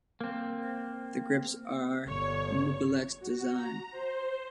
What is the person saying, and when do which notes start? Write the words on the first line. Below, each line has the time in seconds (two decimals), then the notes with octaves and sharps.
The grips are Miculek's design.
0.21 A#3 C4
2.08 G1 C#5
3.20 F#4
3.53 A#5
3.91 C5